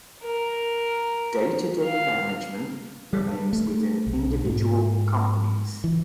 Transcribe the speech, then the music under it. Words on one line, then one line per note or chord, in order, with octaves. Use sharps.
Day-to-day management remains within individual companies.
A#4
F5
G3
A3
B1
G#2
E3